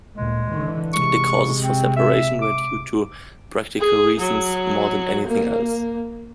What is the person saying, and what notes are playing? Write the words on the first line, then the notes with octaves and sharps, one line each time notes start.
The causes for separation were due to practical reasons more than anything else.
D2 A#2 G#3
D3 E3
C3 G#3 C#6
C4
E5
D6
G#4
F#3
A#3